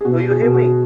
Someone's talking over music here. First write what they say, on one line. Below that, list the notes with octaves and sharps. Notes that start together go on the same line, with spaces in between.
Do you hear me!
G#4
B2 F#4
G#4
B2
F#4